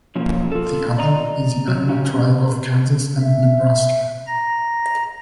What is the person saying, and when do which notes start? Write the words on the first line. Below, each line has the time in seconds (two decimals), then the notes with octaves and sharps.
The other is the Iowa Tribe of Kansas and Nebraska.
0.15 B2 F3 F#3 A#3 C#4
0.52 F4 A4
0.98 D5 D#5 A#5
1.68 F#3
1.89 C#4 G4
2.13 B2
3.21 E5
4.27 A#5 A#6